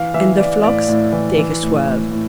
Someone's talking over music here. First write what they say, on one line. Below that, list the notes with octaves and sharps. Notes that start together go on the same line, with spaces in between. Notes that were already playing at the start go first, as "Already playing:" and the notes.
And the flocks take a swerve.
Already playing: E3 F5
E3 E5
E3 D5
A2 D5
A2
E3
E3
A2
A2
A2